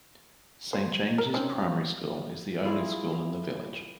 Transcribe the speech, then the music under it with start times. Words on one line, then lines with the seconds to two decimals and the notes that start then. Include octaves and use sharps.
Saint James' Primary School is the only school in the village.
0.73 C5
1.18 A#4
1.34 C4 C#4 D#4
2.64 E4 F4 G#4